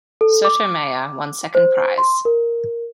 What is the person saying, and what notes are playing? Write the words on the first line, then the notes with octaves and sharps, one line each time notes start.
Sotomayor won second prize.
A4
D6
C5
C6
A#4